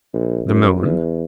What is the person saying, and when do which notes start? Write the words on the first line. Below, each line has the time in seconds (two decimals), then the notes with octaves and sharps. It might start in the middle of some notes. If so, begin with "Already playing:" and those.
"The moon."
0.13 A#1
0.47 F#2
0.81 E2